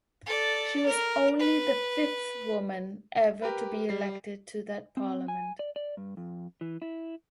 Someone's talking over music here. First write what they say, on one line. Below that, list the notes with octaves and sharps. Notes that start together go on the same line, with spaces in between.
She was only the fifth woman ever to be elected to that parliament.
A4 D5
A#4
B4
G4 A#4 B4
G3 C7
C4
G#5
D5
D5
G2
F2
E3
E4